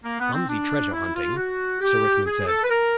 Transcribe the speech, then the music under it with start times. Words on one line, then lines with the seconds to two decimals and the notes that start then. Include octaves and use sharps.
"Clumsy treasure hunting," Sir Richmond said.
0.03 A#3
0.19 B3
0.33 C4
0.48 D4
0.92 E4
1.14 F4
1.36 F#4
1.80 G4
2.25 G#4
2.46 A4
2.62 B4
2.68 A#4